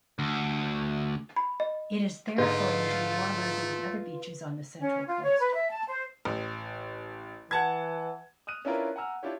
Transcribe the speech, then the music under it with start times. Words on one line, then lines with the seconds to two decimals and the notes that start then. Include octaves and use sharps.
It is therefore usually warmer than the other beaches on the Central Coast.
0.19 D2
1.36 B5
1.60 D#5
2.38 G#2 D3 A3 F4 B4 D#5
4.80 C#4
5.07 F4
5.24 C#5
5.39 B4
5.55 E5
5.70 A5
5.87 C5
6.25 A1
7.51 E3 F#5 A5 G#6
8.47 D#6 F6 F#6 D#7
8.65 C#4 D4 E4 F4 A#4 B4
8.96 F#5 G#5 A#5 E6 F6
9.23 D4 E4 F4 G4 C#5